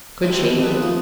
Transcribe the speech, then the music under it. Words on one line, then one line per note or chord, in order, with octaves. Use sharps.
Could she?
G3 A3 G4 C5
C3 D#3 E3 A4
A3 C4 D4 G#4 B4
F2 A3 F4 C6 D#6